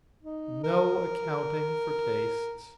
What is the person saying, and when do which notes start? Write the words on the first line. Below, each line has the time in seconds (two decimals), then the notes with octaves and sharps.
No accounting for tastes!
0.22 D#4
0.63 A#4